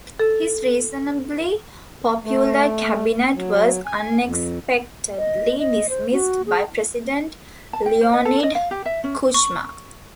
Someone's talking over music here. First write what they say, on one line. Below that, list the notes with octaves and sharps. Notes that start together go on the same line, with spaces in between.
His reasonably popular cabinet was unexpectedly dismissed by President Leonid Kuchma.
A4
A3
F#3
G#5
F2
D#5
D#5
C5
F#4
G#4
A5
G5
C5
D#5
A4
D#5
F5
G4
E5
C#4
C#6